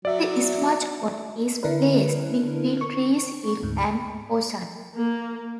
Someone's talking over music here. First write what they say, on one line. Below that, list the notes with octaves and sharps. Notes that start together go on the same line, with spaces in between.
The smudge pot is placed between trees in an orchard.
F#3 D5 E5
D3 D4 E4 A#4 B4
C#6
D2 G#2
A#3